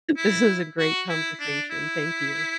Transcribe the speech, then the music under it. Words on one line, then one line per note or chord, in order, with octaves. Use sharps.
this is a great conversation. Thank you.
E4
F#4
E4
D4
E4